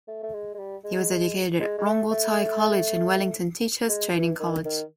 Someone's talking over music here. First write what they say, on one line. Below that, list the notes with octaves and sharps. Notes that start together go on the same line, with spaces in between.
He was educated at Rongotai College and Wellington Teacher's Training College.
A3
A3
G#3
G#3
G3
G#3
G#3
G#3
A3
A3
G#3
E3
D#3
D#3